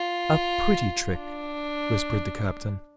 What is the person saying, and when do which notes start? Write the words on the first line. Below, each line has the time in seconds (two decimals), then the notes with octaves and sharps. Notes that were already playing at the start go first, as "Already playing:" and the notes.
"A pretty trick," whispered the captain.
Already playing: F4
1.18 D4